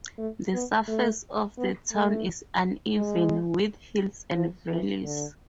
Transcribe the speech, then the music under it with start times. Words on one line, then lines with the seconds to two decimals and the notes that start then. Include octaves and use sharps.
The surface of the town is uneven, with hills and valleys.
0.18 A3
0.53 B3
0.88 A3
1.58 B3
1.92 A3
2.96 G#3
4.34 F3
4.69 E3
5.04 D3